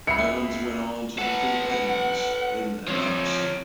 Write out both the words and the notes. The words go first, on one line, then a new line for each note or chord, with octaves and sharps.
Evans went on to defeat Edmunds in an upset.
C#2 E5 B5 C7 C#7
A4 B4 F#5
F3 C4 F4 C#5